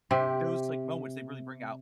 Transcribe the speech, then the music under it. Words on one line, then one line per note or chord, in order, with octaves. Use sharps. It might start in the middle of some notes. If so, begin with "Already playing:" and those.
those, like, moments, they really bring out,
C3 G4